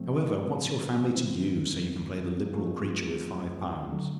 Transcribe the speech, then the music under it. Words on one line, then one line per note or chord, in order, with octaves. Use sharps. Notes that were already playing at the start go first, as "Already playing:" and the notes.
However, what's your family to you, so you can play the liberal creature with five pounds?
Already playing: A2 F3 A3 C4
D#3 G3 C4 E4
F3 A3 C4 F4 G#4
D3 F#3 A3